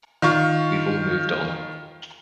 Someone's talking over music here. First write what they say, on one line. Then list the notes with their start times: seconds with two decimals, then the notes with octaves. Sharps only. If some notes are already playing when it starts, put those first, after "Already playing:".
We've all moved on.
0.22 D#3 F4 C#6